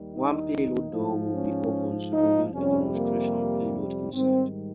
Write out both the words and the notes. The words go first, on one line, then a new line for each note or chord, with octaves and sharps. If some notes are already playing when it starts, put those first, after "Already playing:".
One payload door will be open to reveal a demonstration payload inside.
Already playing: D#2 D#3 G3
D#4
G#2 F3
C#4
D#4
F2 C3 G3 C#4
A#3
G#2 D#3 G3 C4